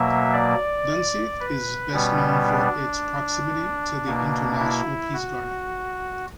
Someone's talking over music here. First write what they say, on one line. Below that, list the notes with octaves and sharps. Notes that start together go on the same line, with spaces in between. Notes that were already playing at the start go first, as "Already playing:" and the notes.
Dunseith is best known for its proximity to the International Peace Garden.
Already playing: B2 F#3 A#3 E5
D5
B4
B2 G3 B3 C#4
D4
B2 A#3
E4
F#4